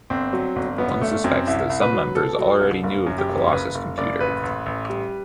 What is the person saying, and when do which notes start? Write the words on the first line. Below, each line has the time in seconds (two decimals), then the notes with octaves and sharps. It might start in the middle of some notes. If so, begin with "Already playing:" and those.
One suspects that some members already knew of the Colossus computer.
0.10 G1 C4
0.33 F#3
0.56 G1
0.78 F#2 B3
1.01 G1 A3
1.24 F#2 C4
1.47 C2 E4
1.70 C2
1.81 B4
1.93 F#3
2.15 B2 A4
2.38 F#3
2.61 C2
2.83 F#1
3.07 F#2
3.18 G4
3.29 F#1
3.52 F#1 B4
3.75 F#1
3.98 F#1 D5
4.20 A1 B4
4.43 A1
4.66 A1
4.89 G3